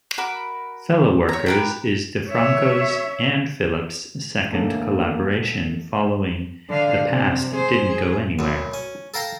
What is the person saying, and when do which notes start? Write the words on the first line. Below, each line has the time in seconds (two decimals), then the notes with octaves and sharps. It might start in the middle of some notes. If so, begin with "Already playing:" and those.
"Fellow Workers" is DiFranco's and Phillip's second collaboration, following "The Past Didn't Go Anywhere".
0.18 F#4 A#4 B5 D6
1.29 C#5 A#5
1.46 G4 A#4 B4
2.29 C#5 E5
4.52 E1 D3 A3 A#3
6.69 D3 F5
7.07 C3
7.52 G#4 C5
7.87 G#4
8.39 B1 F#2
8.74 C#4
9.14 A4 A#4 F5 G5 A#5